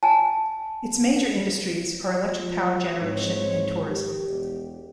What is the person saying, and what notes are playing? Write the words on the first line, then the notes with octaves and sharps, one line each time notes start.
Its major industries are electric power generation and tourism.
G#5 A5
F3
G#2 C4 D#4 C#5
G4
E1